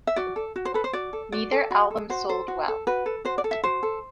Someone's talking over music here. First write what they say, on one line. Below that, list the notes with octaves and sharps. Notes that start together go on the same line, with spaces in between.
Neither album sold well.
E5
F#4 D5
A4
F#4
C5
A4 B4
C5
F#4 D5
A4
F#4 D5
A4
F#4
A4
F#4 C5
A4 C5
F#4
A4
F#4 B4
A4
F#4 C5
D5
A4
E5
F#4 C5
A4